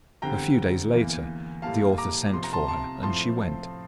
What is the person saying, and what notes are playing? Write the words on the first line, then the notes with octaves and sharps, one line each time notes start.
A few days later the author sent for her, and she went.
E2 D3 G3 C4 G5 A#5
E2 E3 A#3
A2 G3 A#3 F5 A5
A#5 D6
F2 C3 F3 C6
A#5
A5 C6
A5 C6
A2 F3 C4 A5 C6